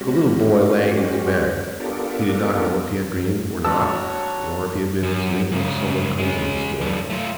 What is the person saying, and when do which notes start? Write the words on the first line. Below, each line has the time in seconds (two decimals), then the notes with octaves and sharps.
The little boy lay in his bed; he did not know if he had dreamed or not, or if he had been listening while someone told him the story.
0.01 G#3 C#4 F#4 G4
1.80 B3 D4 F4 G4 A4 A#4
3.65 A1 G2 F#4 C#5 A5 E6
5.03 F#2
5.52 G#2 C#3
6.18 G#3 C#4
6.81 F#2 D4
7.10 A3 F4